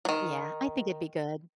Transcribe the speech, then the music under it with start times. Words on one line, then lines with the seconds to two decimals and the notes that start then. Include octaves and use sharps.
Yeah, I think it'd be good.
0.05 D#3 F#3